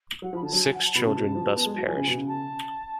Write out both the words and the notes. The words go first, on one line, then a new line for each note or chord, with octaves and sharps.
Six children thus perished.
F#3 F#5
F3
B5
D3 A5
F#3
G#5
F#5
A5
B2 B5
C#3 A5
B2
C#3
F3
F#3
B3
G#3
F#3
F3 G#5
C#3
B2
C#3
A5